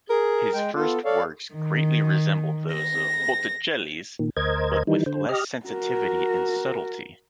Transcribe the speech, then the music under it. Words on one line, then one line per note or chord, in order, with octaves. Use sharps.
His first works greatly resemble those of Botticelli's, but with less sensitivity and subtlety.
G#4 A#4
G#3 G5
B3 F4 A4
A4 C#5 D5 F5
D#3
A#6
A#2 D#3
D2 A#4 C5 D#5 G#6
D#3 E3 G3 D#4
D3 C5
G4 D#5 F6
F#4 A#4